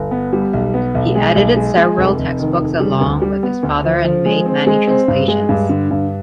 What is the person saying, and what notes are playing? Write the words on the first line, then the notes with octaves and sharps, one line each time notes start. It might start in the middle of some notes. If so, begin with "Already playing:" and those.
He edited several textbooks along with his father and made many translations.
Already playing: G1
B3
G3
B1
B3
B1
G#3
B1
G#3
G#3
F1
F1
D#3
F1
G3
D2
G3
B3
D2
F3
F3
G#3
C4
G#3
C4
G2
G#3
G2
D3
G2